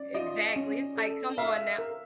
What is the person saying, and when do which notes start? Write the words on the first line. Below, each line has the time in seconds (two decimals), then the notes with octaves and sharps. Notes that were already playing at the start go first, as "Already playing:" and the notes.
Exactly, it's like, "Come on now"
Already playing: C#4 D5
0.14 F4 D#5
0.56 C#4
0.97 A4
1.38 E5 F5
1.78 A#4